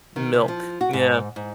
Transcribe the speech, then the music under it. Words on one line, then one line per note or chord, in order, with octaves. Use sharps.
Milk, yeah.
D#3
C3
F3
F#4
G#2
G#2